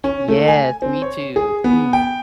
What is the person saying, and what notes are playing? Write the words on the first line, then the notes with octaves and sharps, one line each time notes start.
Yes, me too. Mm.
C#4
A3
G#5
C4
C#5
G#4
B3
G5